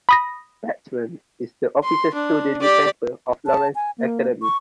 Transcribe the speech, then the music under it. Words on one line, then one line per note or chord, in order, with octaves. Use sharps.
"Spectrum" is the official student newspaper of Lawrence Academy.
B5 D#6 A#6
C6
D4
G4 D5
A5
G#5
A#3
C#6